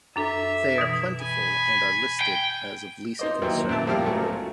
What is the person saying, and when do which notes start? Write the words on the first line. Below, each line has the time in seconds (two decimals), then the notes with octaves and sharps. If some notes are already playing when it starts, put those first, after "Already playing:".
They are plentiful and are listed as of Least Concern.
0.16 F#2 D4 A4 E5
0.78 B2 E3
1.20 G#5 B5
2.21 G5
3.19 D#4 C5 D#5
3.42 D#2 E3 F#3 E4 C5
3.69 F#2 A#2 E5 A5
3.87 F3 G3 E4 G4 A#4 F5
4.06 C#2 F#3 A3